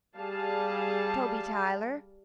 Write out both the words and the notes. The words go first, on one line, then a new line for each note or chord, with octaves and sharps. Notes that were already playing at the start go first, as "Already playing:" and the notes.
"Toby Tyler."
G3 G#4 F5 A5